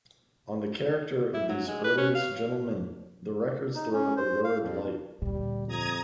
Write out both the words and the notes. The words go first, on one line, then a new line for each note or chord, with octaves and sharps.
On the character of these earliest gentlemen the records throw a lurid light.
E4
F#3
G#3
B4
C#4
F5
D#4
C#4
C5
F5
F2
D2 A#2 G3
F2 A#5 D#6 G#6